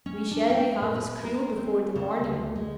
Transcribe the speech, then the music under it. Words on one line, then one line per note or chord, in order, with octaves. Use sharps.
We shall be half screwed before the morning.
C#4
D4
G5
A#2
B4
A#4
C4
C#3
D2
G#3